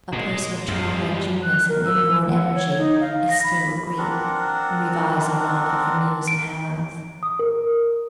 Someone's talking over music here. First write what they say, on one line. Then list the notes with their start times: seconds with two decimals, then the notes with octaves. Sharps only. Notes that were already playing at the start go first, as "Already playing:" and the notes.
A person of childlike genius and inborn energy is still a Greek, and revives our love of the Muse of Hellas.
0.13 A#2 G#3
0.68 F#2 F3 G3 G#3
1.43 F#6
1.69 A#4
1.85 E6
2.30 F#5
2.54 C#5
2.77 D#4
3.01 F5
3.30 A#6
3.43 B5
3.98 C4 D4 A#4 F#5
6.28 D7
7.23 D#6
7.39 A#4